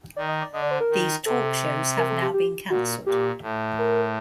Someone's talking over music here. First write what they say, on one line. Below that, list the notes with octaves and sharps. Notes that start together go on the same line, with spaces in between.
These talkshows have now been cancelled.
D#3 D5
D#5
D5
D3 D#5
D5
C5
A#4
D#3
C3 A4
A#4
A4
G4
G4
A#2 F#4
A#2 G4
A2
A#4